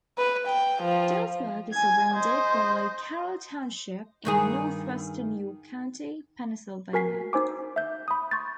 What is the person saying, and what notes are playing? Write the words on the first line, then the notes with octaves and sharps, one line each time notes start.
Dillsburg is surrounded by Carroll Township in northwestern York County, Pennsylvania.
B4
G5
F3
G#5 G#6
C5 D#5
G2 D#3 G#4
F#4 A#4 G#5 B6 C7
D#4 C5 G#5 D6
E5 G6
B5 D#6
C6 C#6 G6 A6